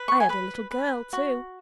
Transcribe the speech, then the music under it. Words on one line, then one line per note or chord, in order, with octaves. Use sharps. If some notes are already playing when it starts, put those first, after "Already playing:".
I had a little girl, too.
Already playing: B4
C#6
G#5
B4 B5
B4
F#4